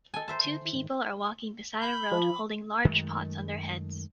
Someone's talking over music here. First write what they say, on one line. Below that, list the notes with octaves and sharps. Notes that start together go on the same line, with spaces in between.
Two people are walking beside a road, holding large pots on their heads.
A4 D#5 G#5 A5
C5 E5 A5 A#5 C6 E6
D3
D#3 E4
G#2 D#3
B5 G6
F3
F#2 D#3 G#3 A3